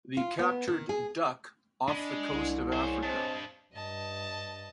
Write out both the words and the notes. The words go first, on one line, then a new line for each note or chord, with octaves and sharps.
The captured "Duck" off the coast of Africa.
F4
B3
D#3
G#4
G#3 D4 D5 B5
C2
D#2 G#4 C5 C#5
G2 C4 D#5 A5
G2 D#5 A5